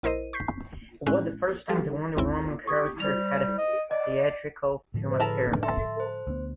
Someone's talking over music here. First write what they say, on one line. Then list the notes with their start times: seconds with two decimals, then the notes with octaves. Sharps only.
It was the first time the Wonder Woman character had a theatrical film appearance.
0.03 A#1 E4 A#4 C5 D#5 D#7
0.33 C#6 G6 B6 C7
1.06 A2 G#3 C4 C#4 E4 F#6
1.69 G3 G4 A4
2.17 G#1 D#2 C4 E4
2.67 G4 C#6 D#6 G#6
3.00 G3 C5 F7
3.58 D#5
3.91 D5 D#5
4.94 A2 D3 F3
5.20 E4 G#4 A4 B4 A5 A#5
5.63 A4 E5 C6 A6
6.00 C5
6.27 D2 B3